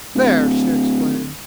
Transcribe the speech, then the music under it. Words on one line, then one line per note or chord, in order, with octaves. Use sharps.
"There!" she exclaimed.
D1